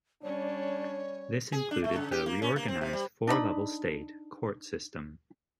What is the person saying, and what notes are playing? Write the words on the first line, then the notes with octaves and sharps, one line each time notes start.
This included the reorganized four-level state court system.
G3 C#4 D4 C#5 D5
G#4
D4
A3
C#3
G4
A#3
C#4
A#3
C4
C3
G3
D4 D#4 D#5 B5